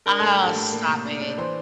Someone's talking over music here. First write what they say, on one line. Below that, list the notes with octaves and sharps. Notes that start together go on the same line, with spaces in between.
Oh, stop it.
D4 A#4
A2 A4
G4
D4
A4
A2
A#3
C3
D4
D4
E3 C5